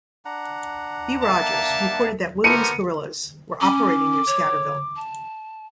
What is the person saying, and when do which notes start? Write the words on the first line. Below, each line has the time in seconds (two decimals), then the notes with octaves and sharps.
B. Rogers, reported that "Williams Guerillas" were operating near Scatterville.
0.25 D4 F#5 A#5
1.23 A#3 E5 A5
2.44 A3 B3 E4 G4 A#4 C5 C#7 D#7
3.61 C#4 D6
4.27 C#5
4.96 A5